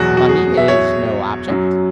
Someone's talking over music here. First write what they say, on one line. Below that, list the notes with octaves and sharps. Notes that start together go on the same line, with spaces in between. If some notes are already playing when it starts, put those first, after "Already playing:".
"Money is no object?"
Already playing: E2 B2 F#3 F#4
F#4
G#4
E5
C#5
F#2 F#3